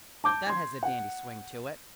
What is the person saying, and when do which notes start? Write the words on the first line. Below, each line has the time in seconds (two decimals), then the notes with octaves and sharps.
"That has a dandy swing to it."
0.24 A5 D6 G6
0.47 C6 G#6
0.83 F#5